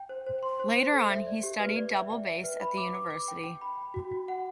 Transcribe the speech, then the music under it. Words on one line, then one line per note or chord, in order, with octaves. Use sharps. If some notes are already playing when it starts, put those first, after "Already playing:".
Later on, he studied "double bass" at the university.
Already playing: G5
C5
C5
C6
C5
C5
A4
E5
D5
G4
B4
D5
E5
G5
E5
B4
B5
D6
D6
D6
G5
G5
B5
G5
F#4
F#4
F#5